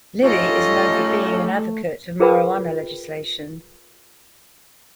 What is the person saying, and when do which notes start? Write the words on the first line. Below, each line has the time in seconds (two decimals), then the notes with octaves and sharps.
Lilley is known for being an advocate of marijuana legalisation.
0.23 A3 C#4 D#4 F4 G4 A4 C#5 D#5
2.20 F4 G#4 A#4 B4 G5 B5